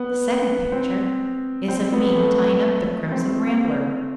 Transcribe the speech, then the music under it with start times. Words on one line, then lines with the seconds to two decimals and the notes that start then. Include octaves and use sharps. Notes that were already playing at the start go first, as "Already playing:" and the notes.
The second picture is of me tying up the crimson rambler.
Already playing: B3
0.72 C4
1.68 C4
1.92 B3
2.16 A3
3.12 C4